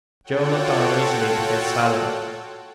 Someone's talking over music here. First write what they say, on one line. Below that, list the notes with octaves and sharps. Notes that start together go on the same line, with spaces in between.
Joe looked on uneasily, but kept silent.
F4 F#4 A4 C#5 F#5 G5